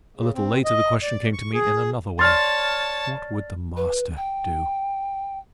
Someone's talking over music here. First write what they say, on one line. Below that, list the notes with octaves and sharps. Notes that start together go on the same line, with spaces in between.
A little later the question came to me in another way: What would the Master do?
C#3
C4
D#5
D5
C#6
G#4
C#5 D5 A5 C6 F6 A6
B4
G5